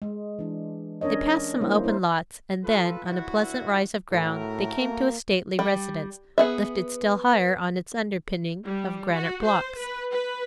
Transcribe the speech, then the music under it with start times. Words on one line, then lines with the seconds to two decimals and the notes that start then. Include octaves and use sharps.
They passed some open lots, and then, on a pleasant rise of ground, they came to a stately residence, lifted still higher on its underpinning of granite blocks.
0.02 G#3
0.39 E3 D4
1.01 C#4 D4 A#4 C#5 D#5
1.61 G3 A#3 D4 E4 C5
1.84 E4 A#4 C5
2.64 F4 A4 B4
3.05 D2 E4 F#4
4.12 A2 A3 F#4 A#4
4.81 A#3
5.59 G3
6.38 B3 G#4 E5
8.64 G3
9.12 F#4
9.43 C5
9.78 B4
10.12 B4